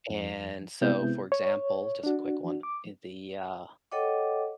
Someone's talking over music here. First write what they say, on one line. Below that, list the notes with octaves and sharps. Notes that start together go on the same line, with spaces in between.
And so for example- just a quick one- the, uh
F2
C3 G#3 B3 E4 G6
C#5
D4 F#4
D6
A4 C#5 D#5 F#5 G5 D6